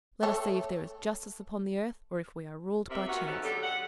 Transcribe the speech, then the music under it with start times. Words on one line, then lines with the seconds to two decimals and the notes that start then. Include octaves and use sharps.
Let us see if there is justice upon the earth, or if we are ruled by chance.'
0.23 A3 A4 C#5
2.90 C3 A#4 E5
3.08 D#3 A#3 B3 F#4
3.27 E2 G#2 E3 C#4 A4 B4
3.43 G#2 D3 F#3 G4 A4
3.63 F#5